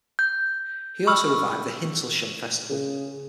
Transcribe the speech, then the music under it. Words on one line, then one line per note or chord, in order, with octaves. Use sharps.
He also revived the Hintlesham Festival.
G6
B5 C#6 E6 F6
C#3